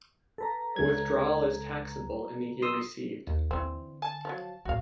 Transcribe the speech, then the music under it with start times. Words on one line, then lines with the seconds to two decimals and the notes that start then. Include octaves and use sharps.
A withdrawal is taxable in the year received.
0.38 A4 B4 A#5
0.76 C#2 G#6
2.62 C6 D#6 E6
3.27 D#2
3.51 D3 E3 C4
4.02 G#5 A5
4.25 F3 F#3
4.65 C#2 A2 F#4 F5